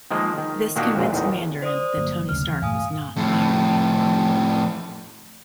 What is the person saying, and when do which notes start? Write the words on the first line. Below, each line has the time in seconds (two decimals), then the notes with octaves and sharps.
This convinced Mandarin that Tony Stark was not Iron Man.
0.11 D#3 F3 G#3 A#3
0.38 D#3
0.76 A#2 D#3 A#3 D4 F#4 G4
0.97 A#1 F#2 A#2
1.12 E2 A2 D#3
1.62 C5 D5 D#6
1.97 G1 F#3 A#3
2.29 F1 D2 C#3 F6
2.49 E3
2.62 G2 A#2 A3 F5 G#5 D#6
3.16 F2 A2